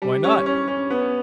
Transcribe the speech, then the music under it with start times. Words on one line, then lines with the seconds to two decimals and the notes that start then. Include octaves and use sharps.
"Why not?"
0.02 G3
0.24 C#4
0.46 C#4
0.68 C#4
0.90 B3